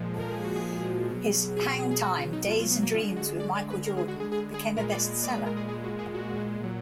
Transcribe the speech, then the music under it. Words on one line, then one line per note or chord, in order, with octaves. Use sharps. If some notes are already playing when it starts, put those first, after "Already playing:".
His "Hang Time: Days and Dreams with Michael Jordan" became a bestseller.
Already playing: A#2 F3 G#3
A#4
G#4
F#4
G#4
B2 F#3
G#4
F#4
G#4
G#4
F#4
F4
D#4
F4
F4
B3
A#3
D3 G#3 F4
F#4
D5
D5
B4
A#4
G#4
F#4
G#4
G#4
G#4
A#2 G#3 A#4
D5
D5
B4
A#4
G#4
G#4
F#4
G#4
F#4
A#2 F#3